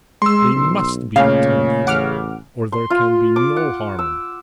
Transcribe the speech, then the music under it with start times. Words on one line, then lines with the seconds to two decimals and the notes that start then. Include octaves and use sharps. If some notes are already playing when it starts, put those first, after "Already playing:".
They must be atoned for, or there can be no harmony.
0.22 G#3 C6 E6
0.55 B1
1.16 A#2 C#3 A3 C#5 F5 G#5
1.87 A1 F#5 D6 F6
2.72 C6
2.90 F4
3.36 D6
3.56 F#5
3.99 E6